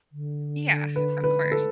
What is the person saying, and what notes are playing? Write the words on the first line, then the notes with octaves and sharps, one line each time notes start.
Yeah, of course.
D3
B4
B4
A4